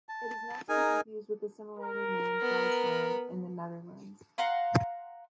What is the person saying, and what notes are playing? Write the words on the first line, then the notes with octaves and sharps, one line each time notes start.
It is not to be confused with the similarly named Friesland in the Netherlands.
A5
D#4 G#4 A#4 G#5
A#4
B3 B4
F5 F#5 A#5 C6